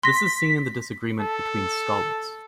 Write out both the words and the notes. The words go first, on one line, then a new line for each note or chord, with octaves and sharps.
This is seen in the disagreement between scholars.
C6 A#6 B6
A4